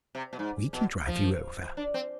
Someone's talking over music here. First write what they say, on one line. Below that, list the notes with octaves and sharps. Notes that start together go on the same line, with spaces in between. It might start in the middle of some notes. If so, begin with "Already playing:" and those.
We can drive you over.
C3
B2
G#2
B2
F3
D4
C4